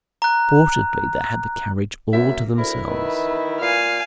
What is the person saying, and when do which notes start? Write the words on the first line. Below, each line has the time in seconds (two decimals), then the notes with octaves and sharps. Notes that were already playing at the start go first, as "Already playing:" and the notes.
Fortunately they had the carriage all to themselves.
0.22 A#5 F#6
2.13 F#2 A#3 E5
2.58 D2 E4 A#4
2.88 D#3 B4 E5
3.61 A#2 F5 G#5